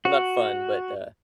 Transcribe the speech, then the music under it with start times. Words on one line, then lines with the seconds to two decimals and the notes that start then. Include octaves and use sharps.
Well, not fun, but, uh,
0.05 F#4